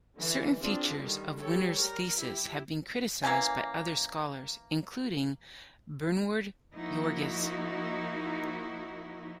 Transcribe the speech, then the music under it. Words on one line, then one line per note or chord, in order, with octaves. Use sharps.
Certain features of Winner's thesis have been criticized by other scholars, including Bernward Joerges.
D3 E3
C4 D4 F4 G#4
D3 D#3 G3
G3 G4 A4 C#5
G3 A#4
E4 G4
E3 A#3 C#4 G#5
F3 A#3 D#4 E4 F#4